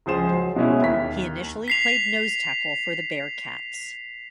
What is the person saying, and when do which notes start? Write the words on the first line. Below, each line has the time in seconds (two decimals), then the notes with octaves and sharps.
He initially played nose tackle for the Bearcats.
0.06 C#2 F3 G#4 C5 E7
0.32 F#3
0.56 B2 G#3 C#4 E4
0.82 D#2 B6
1.68 B6 C7 F7